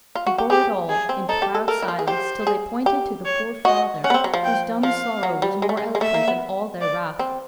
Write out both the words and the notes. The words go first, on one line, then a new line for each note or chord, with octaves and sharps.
He bore it all in proud silence till they pointed to the poor father, whose dumb sorrow was more eloquent than all their wrath.
F4
F#4
G4
G4 G#4
G#4
C4
D#4 A4
G4
A4
A4 A#4
E4
F4
G#4
G4 C5
G#4
G4
C#5
F#4 D#5
C#4 F#5
B3
C4
F#3
F3
G5
F3 F5
F#3
G3
G#3
A3
G#3
G#3
A3 E5
A#3
B3
D5
C4